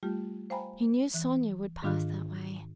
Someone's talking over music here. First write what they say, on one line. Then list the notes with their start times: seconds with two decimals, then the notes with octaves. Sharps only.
He knew Sonya would pass that way.
0.03 G3 A3 F4 G4
0.50 C5 F5 G5 G#5 A#5 B5
1.14 E3 E5 F#6
1.83 G#2 D#3 D4 F4 F5 F#6